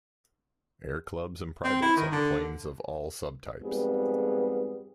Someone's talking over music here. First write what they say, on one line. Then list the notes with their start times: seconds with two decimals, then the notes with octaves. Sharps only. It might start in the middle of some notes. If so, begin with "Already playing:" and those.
Airclubs and privates own planes of all subtypes.
1.64 C4
1.82 E4
1.96 D#3
2.11 D3
3.61 F2 G#2 G3 B3 G#4